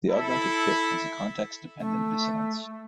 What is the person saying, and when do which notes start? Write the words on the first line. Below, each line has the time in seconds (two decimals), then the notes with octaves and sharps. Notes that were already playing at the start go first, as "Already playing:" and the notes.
The augmented fifth is a context-dependent dissonance.
0.11 E4 A4
1.80 A3